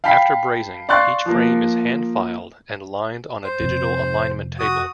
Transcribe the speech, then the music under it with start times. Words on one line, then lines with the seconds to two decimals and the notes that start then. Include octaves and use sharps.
After brazing, each frame is hand filed and aligned on a digital alignment table.
0.04 F5 G5 A5 B5 B6
0.89 D5 F5 C6 C#6 F#6 A6
1.26 F3 A#3
3.44 C5
3.60 F2 C3 C4
4.59 F#4 D#6